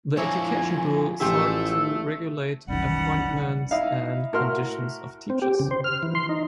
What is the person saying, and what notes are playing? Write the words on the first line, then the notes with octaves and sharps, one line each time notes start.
The Education Bill sought to regulate appointments and conditions of teachers.
F3 D4 E4 A4 A#4 C#5 G#5
A1 F3 A3 G4 G#4 E6
F1 B1 D#3 E3 G3 C#4 F#5
D#4 E4 E5 F5
A2 F#4 A#4 E5 C6 F6
C4
G4
C#3
C5
F6
E3
C6
D#4